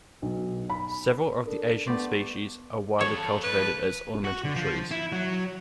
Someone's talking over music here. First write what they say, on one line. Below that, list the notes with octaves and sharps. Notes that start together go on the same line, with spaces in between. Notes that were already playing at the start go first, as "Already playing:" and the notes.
Several of the Asian species are widely cultivated as ornamental trees.
B1
B5
D4 A4 A#4
G2 A3 B3 G4 D5 C6
F3 A4 C#5
B4
F#4
D3
F3
E4
F#3